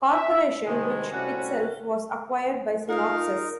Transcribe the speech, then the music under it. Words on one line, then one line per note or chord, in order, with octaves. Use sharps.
Corporation, which itself was acquired by Synopsys.
E5
A2 C3 D#3 G#3
A2 C3 G3 C#4 F#4
D#4 F4 G#4 A#4 F5 D#6